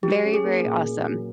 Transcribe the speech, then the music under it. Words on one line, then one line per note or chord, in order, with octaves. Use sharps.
Very, very awesome.
F#3 G4
C#4
G#4
A#3
A#2
A#3
F#3